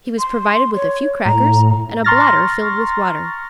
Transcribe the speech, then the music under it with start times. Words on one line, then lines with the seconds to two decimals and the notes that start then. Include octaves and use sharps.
He was provided with a few crackers, and a bladder filled with water.
0.19 C6
0.76 C#5
1.25 A2 A#5
2.04 A#5 C6 C#6 F6 A6 A#6